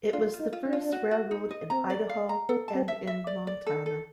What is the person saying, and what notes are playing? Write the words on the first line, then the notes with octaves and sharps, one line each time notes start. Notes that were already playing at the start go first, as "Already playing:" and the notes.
It was the first railroad in Idaho and in Montana.
D4 F4
F4
D#4
F4
D4
F4
F#4
F#4
D#4
D#5
C4 A#5
D5
F5
A#5
B3 A4
A5
C4
E5
E5
D5
D5
A4
A4